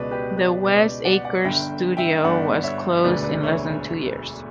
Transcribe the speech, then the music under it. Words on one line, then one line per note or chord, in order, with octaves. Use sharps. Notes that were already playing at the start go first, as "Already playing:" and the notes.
The West Acres studio was closed in less than two years.
Already playing: C#2 B2 B4 D5
G4 B4
B4 D5
C#2 B2 B4 D5
D5 F#5
D5 F#5
G1 G2 D3 E5 G5
E5 G5
G1 G2 D3 D5 F#5
C#5 E5
E1 D2 D3 B4 D5
B4 D5
C#5 E5